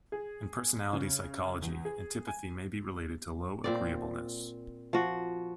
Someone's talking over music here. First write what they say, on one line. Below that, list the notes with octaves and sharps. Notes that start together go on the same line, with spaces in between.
In personality psychology, antipathy may be related to low agreeableness.
G#4
C#3
E2
G#4
G#5
A#2 C4 D5
F3 F#4